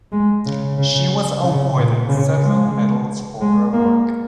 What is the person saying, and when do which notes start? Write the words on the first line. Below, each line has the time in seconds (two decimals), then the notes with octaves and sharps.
She was awarded several medals for her work.
0.12 G#3
0.46 C#3
0.77 C#3
1.43 C#3
1.77 A#2
2.09 C#3
2.41 G#3
3.41 G#3
3.73 A#3